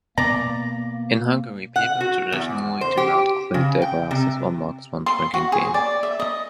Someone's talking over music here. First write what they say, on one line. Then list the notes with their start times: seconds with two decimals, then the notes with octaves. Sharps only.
In Hungary, people traditionally do not clink their glasses or mugs when drinking beer.
0.18 B2 A#3 B3 D5 A#5
1.76 F#5
2.01 F#4
2.32 E2
2.81 C5
2.97 G4
3.54 C#3
3.82 G5
4.11 C3
5.06 C6
5.34 F#4
5.52 G#4
5.74 D5
6.03 E5
6.20 D#5